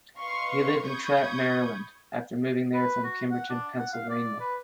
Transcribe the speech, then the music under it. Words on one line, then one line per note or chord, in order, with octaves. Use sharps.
He lived in Trappe, Maryland, after moving there from Kimberton, Pennsylvania.
B4 D#5 F5 C6 C#6
B5 C#6 D#6 G6 G#6
B4
F#4
F#5
D4
F#5
F5
D5
B4